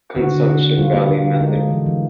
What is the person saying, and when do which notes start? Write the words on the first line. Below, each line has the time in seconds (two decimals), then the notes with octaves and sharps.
Consumption value method.
0.16 D3 F#4
0.32 D3
0.47 D3
0.63 D3
0.78 G3 F4
0.93 A#3
1.09 D3
1.24 D3
1.40 G#3 D#4
1.55 G#3
1.71 E3
1.86 E3